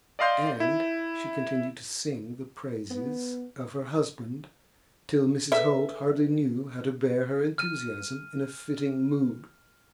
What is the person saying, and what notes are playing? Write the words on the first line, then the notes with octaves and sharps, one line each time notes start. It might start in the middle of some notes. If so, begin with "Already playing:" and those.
And she continued to sing the praises of her husband till Mrs. Holt hardly knew how to bear her enthusiasm in a fitting mood.
D5 D#5 F5 C6 G6
E4
B3
G#4 A4 B4 E5
F6 D#7